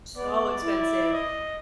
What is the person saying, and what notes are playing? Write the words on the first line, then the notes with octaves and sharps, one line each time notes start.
So expensive.
B3 D5
E4
D#5